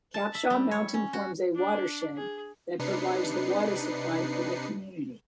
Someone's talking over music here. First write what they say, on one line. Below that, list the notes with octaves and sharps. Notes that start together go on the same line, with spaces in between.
Capshaw Mountain forms a watershed that provides the water supply for the community.
A5
E5
G3
C#5
C#4
F#4
D4
G#4
C3 D4 D#4 B4 C7 C#7